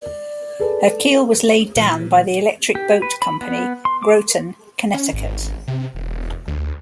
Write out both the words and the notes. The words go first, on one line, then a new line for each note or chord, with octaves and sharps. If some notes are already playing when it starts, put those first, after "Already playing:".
Her keel was laid down by the Electric Boat Company, Groton, Connecticut.
D5
G#4 A4 B4
A#2 E3
G4
B4
B5
B3
C6
D6
C#4
G#1
C3
E1
D2